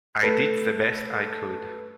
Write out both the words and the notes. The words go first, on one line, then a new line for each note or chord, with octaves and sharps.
I did the best I could.
A3 B4